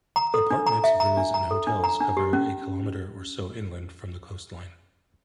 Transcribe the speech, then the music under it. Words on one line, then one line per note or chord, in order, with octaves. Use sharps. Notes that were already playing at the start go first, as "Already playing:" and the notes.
Apartments, villas and hotels cover a kilometre or so inland from the coastline.
A#5
A4
D4
A#5
E5
A#5
D4
A#5
A4
D4
A#5
D4
G4
C#4